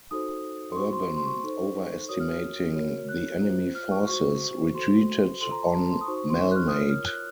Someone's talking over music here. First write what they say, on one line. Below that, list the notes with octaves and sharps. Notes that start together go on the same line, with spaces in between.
Urban, overestimating the enemy forces, retreated on Malnate.
D#4 F#4 A4 C5 D#6
C6
F#4 C5 C#6
C6
C6
C#6
D#4 A4 C5
F#4 A#4 C#5 D#6
F6
F6
F#4 A#4 C#5
F#6
F4 C5
F6
C#6
F#4 C5 C#6
F#4 A4 C5 C6
F4 A4 C5 C6
A#5
A5
A5
C6
D#6
D#4 F#4 C5 C#6
C#6
C6
C#6
F#6
F6
D#6
F4 A#4 C#5 F6
F6
F#6